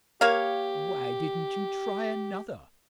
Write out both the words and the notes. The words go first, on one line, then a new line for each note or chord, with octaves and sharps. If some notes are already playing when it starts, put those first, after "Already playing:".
"Why didn't you try another?"
A#3 G4 C#5 F5